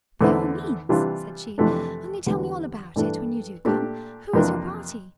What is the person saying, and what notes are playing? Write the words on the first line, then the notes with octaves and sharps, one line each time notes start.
"By all means," said she; "only tell me all about it, when you do come. Who is your party?"
E2 D3 A3 C4 E4
C3 E3 G3 D4 F4
F2 C3 E3 A3 D4
E2 D3 G3
G2 E3 A3 D4
A#2 A3 D4 G4
F2 C3 E3 A#3 D4